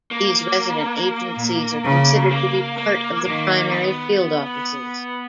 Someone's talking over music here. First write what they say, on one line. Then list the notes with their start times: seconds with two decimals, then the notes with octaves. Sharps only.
These resident agencies are considered to be part of the primary field offices.
0.11 A#3
1.37 A#2
1.84 C#3
2.31 A#3
2.78 A#3
3.25 D#3 A#3
3.72 B3